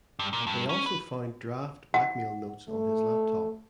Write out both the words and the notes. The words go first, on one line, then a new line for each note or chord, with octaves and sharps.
They also found draft blackmail notes on his laptop.
G2
A#2
G2
C#4
B4
F#5
A3